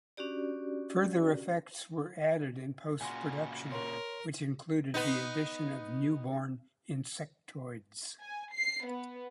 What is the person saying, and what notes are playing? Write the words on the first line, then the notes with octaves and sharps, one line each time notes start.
Further effects were added in post-production, which included the addition of newborn Insectoids.
C#4 D4 F#4 G4 D5
A#2 C#3 F#4 G#5 C6
A#4 C#5 C6
B3 D#4
G#5
C7
B3